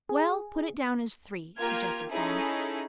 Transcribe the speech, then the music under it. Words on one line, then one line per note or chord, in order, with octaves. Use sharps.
"Well, put it down as three," suggested Thong.
G#4
A#3 F4 G4 A#4 F6 G#6
C#4 D#4 E4 G#4 A4